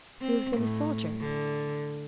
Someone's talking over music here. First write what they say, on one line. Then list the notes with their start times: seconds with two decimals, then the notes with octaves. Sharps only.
"You have been a soldier?"
0.21 C4
0.58 A2
1.21 D3